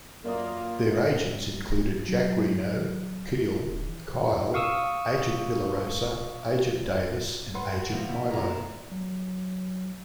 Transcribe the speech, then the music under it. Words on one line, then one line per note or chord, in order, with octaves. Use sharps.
Their agents included Jack Reno, Keel, Kyle, Agent Villarosa, Agent Davis and Agent Milo.
F#2 A#3 F4 A#4 D5 D#6
F#3
D1
E3
A#2
D#2
F5 C#6 D#6 E6
B4 F#5 C6
C#4 F#4
B2 E3 F3
C#2 E4
D2 B2 A#3 D5 A#5
E3
F#3